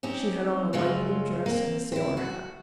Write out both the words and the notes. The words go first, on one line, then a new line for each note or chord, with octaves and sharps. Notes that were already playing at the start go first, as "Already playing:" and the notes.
"She had on a light-blue dress and a sailor hat."
C4 C#4 D#4 G4
F#2 C#3 F#3 G#3 A3 F4
A#3 C4
C4 E4
F#4